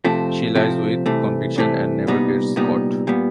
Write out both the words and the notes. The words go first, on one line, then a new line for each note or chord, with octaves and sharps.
She lies with conviction and never gets caught.
C3 F3 A3 C4
C3 F3 A3 C4
C2 C3 E3 A3
C2 C3 E3 A3
C2 A#2 G3 B3 D#4
C2 A#2 G3 B3 D#4
A#2 G3 B3